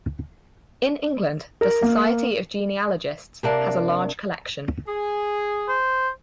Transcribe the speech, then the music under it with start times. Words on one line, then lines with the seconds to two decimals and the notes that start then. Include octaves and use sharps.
In England, the Society of Genealogists has a large collection.
1.61 A#4
1.82 A#3
3.43 C3 A#3 D4
4.87 G#4
5.69 C5